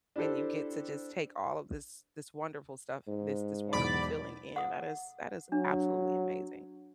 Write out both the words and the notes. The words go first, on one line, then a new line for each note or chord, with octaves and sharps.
and you get to just take all of this this wonderful stuff, this this wonderful feeling in. That is that is absolutely amazing,
D4 E4 G4 A4 C5
G#2
B1 E2 B2 D5 B5 D6
F#5 D#6
F#3 D4